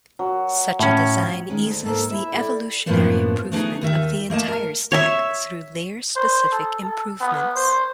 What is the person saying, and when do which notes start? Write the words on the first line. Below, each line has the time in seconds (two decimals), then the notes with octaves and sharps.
Such a design eases the evolutionary improvement of the entire stack through layer-specific improvements.
0.19 F#3
0.80 A2 C#4
1.49 D#3 G#3 C#4
1.66 D2
1.84 G#2 A#3 A4 C5
2.10 E4 E5
2.32 A4 D5 G5
2.86 F#2 A2 F3 A#3 B3 D4
3.52 A3 B3 D4 D#4 G#4
3.81 D#2 D#3 E5
4.30 A3 A#3 D#5 A5
4.48 A#4
4.92 C#5 E5
6.16 C5
6.52 A4
6.82 A4
7.20 B3
7.56 C5